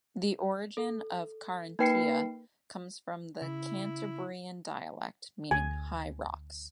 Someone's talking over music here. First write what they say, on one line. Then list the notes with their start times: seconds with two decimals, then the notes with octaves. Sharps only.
The origin of "Carrantia" comes from the Cantabrian dialect, meaning "high rocks".
0.77 A4
1.79 A#3 D#4 B4 G5 C7 C#7
3.42 C#3 E4
5.51 D2 G#5